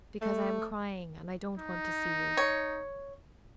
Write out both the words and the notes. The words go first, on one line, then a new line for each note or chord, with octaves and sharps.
"Because I am crying, and I don't want to see you."
A3
D#4
C#5